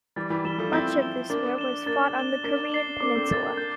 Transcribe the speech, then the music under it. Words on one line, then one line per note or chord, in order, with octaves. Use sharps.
Much of this war was fought on the Korean Peninsula.
E3 G3 A6
E3 G3
E3 G3 E7 G7
F3 A3
C4 E4 A6
E7 G7
A#3 D4 A6
E7 G7
A#3 D4 A6
E7 G7
A#3 D4 D6
A6 C7 G7
A#3 D4 D6
A3 C4
A#3 D4 A6 C7 G7
A#3 D4
A#3 D4 G6